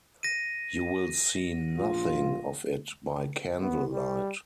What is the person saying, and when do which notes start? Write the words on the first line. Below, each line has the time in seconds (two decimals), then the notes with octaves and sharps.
You will see nothing of it by candlelight.
0.23 A#6 D#7
1.76 A#1 F4
3.61 B3
3.92 G3